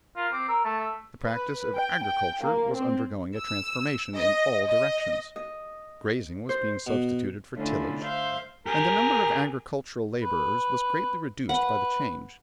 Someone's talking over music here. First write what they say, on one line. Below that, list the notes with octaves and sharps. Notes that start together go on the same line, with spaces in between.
The practice of agriculture was undergoing a transformation; in all directions grazing was being substituted for tillage, and the number of agricultural labourers was greatly reduced by the change.
F4 A#4
C4 D6
A#4 E6
A3 A5
E5
B4
G5
G5
A#3
C4
E6
D#5
D#5
D#5
C5
B2
D3 A3 C#4 D4 E4 F4
C5 E5 F5 G6
G4 G#4 A#4
B4
B4 F#5